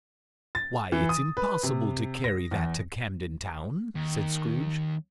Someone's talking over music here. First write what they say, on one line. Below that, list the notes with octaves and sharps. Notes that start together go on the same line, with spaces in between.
"Why, it's impossible to carry that to Camden Town," said Scrooge.
A6
E3
D#6
B4
C3
A#6
E2
D#2